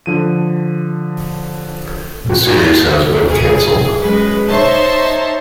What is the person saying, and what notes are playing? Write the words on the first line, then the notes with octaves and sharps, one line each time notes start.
The series has been cancelled.
D3 F3 D#7
G#4
F#2 G#3 B4
D#4 C5 C#5 E5 A5 C6